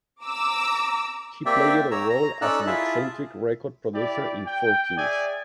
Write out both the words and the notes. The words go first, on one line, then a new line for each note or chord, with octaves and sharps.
He played a role as an eccentric record producer in "Four Kings".
A#5 D6 E6
A#3 C4 G4 D5 E5 G5
C#5 A#5 E6
A#5
C#4 D#4 A4 D5 E6 F#6
E4 F4 G#4 E5 A5
E4 G4 D5
G5
G#4 D5 E5 G#5